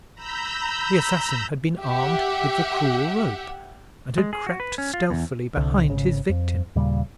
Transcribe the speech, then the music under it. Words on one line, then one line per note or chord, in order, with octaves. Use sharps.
The assassin had been armed with the cruel rope, and had crept stealthily behind his victim.
A#5 B5 E6 G6
G4 E5 F#5
G#3
G#4
F#4
B4
C#4
F4
E2
C2 D3
G#1 C#3
F2
D#2 A#2 C#3 G3